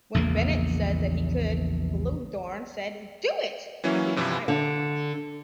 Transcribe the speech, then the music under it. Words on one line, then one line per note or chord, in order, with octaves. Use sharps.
When Bennett said that he could, Bluhdorn said "do it" and he was hired.
A#1 E2 C#3 A#3
E3 F#3 A#3 C#4 E4
G2 C3 E3 F3 E4
D3